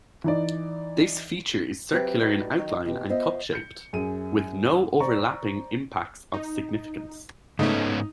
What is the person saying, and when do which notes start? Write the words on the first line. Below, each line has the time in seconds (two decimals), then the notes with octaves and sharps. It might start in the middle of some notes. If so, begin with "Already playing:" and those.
This feature is circular in outline and cup-shaped, with no overlapping impacts of significance.
0.24 E3 D#4 D5
1.92 F#3 C4 G4 B4 E5
2.20 A2 G3 D#4 F#4 B4 D5
2.56 D#3 F#3 D#4 C#5
2.85 D#2 B2 G4 B4
3.09 B3 F4 C5 D#5 E5
3.53 G6 C#7
3.93 F#2 G#4 D#7
5.00 C5 D5 A#5 C#6
6.34 D#4
7.59 G#2 C#3 A3 B3 C#4 D#4 A4